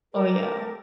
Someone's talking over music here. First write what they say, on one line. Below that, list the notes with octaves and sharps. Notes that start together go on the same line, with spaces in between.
Oh, yeah.
G4 A4 A#4